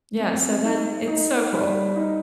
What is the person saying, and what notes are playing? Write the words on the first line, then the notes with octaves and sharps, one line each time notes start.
Yeah. So that it's so cool.
C4
D#4
D#4
G3
D#4